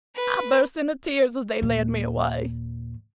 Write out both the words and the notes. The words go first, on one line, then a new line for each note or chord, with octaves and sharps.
I burst into tears as they led me away.
B4
D#2 A#2